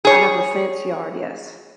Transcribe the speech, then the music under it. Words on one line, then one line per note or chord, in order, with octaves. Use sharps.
I have a fence yard, yes.
G#4 C#5